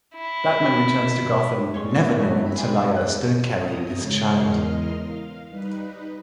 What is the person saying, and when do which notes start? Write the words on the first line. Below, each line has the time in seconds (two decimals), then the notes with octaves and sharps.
Batman returns to Gotham, never knowing Talia is still carrying his child.
0.15 E4
1.74 F#2 G3 G#3 C#5 C6 C#6
2.18 F#3 A3 B3 D#4 F#4 C#6
2.43 C4 E4
2.57 A2 F#3 G3 C4 G#4 D5 B5
2.77 D#4 E5
2.95 E2 G2 D#4 A#4 F#6
3.62 A#5 D#6
3.98 G#2 C#3 G#3 C#5 C7
4.41 E2 E3 A#4 D#5 C6 F6
5.06 F5
5.50 G3 D#4 B4